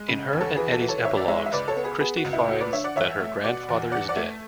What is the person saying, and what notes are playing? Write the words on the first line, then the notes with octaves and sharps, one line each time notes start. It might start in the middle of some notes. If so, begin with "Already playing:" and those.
In her and Eddy's epilogues, Christie finds that her grandfather is dead.
Already playing: G#3
C#3
E2
A4 C#5
E3 G#4 B4
F#4 A4
E3
A4 C#5
G#1 C#5 E5
D5
G#3 C#5 E5
E5
C#2 B4 D5
A4 C#5
B3
G#4 B4
B3 G#4 B4
F#4
C#2
E4
A3 F#4
B4 D5
D3 C#5 E5
D5 F#5
E2 C#5 E5
A3
B2 D5 F#5
E2
E2 D5 F#5
D5 F#5
A3